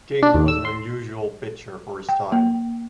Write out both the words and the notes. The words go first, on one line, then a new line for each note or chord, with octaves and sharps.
King was an unusual pitcher for his time.
D4
D#2
E6
C6
G5
A#3